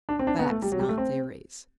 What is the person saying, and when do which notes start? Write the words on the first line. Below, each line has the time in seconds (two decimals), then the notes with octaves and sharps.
Facts, not theories.
0.09 D4
0.19 C4
0.27 D4
0.39 B3
0.50 A3
0.62 G3
0.72 F#3
0.79 G3
0.89 A3
0.98 C4